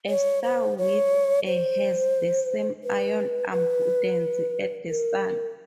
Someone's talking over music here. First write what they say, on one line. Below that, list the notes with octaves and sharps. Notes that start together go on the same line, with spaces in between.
A star with a has the same iron abundance as the Sun.
C#5
C5
C#5
C5
B4
B4
A#4